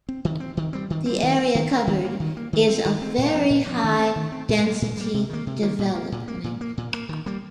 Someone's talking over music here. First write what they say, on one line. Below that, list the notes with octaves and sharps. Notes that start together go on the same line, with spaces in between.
The area covered is of very high density development.
C4
D#3
C4
D#3
G3 C4
D#3
G3 C4
D#3
C4
D#3
C4
D#3
A#3
D#3
A#3
D#3
C4
D#3
C4
A#2
F3 C4
A#2
F3 C4
D#3
C4
D#3
C4
A#2
G3 A#3
A#2
G3 A#3
C3
D#3 A#3
C3
D#3 A#3
A#2
A#3
A#2
A#3
A#2
A#3
A#2
A#3
D#3
G3 A#3